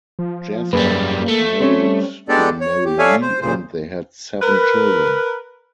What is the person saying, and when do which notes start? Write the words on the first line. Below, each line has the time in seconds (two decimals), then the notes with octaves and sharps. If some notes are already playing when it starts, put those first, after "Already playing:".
Jasper was married to Mary Lee and they had seven children.
0.19 F3
0.73 F#2 G3 A#3 G#4 B4
1.28 A3
1.60 G3 C4 C#4 C#5
2.29 G#3 B3 D4 G4 A4 D5
2.61 C#5
2.85 G4
2.99 A4 C#5 D5 E5 F5 G#5
3.21 C5
3.41 D#2 A#2 C#3 C5
4.42 A#4 B4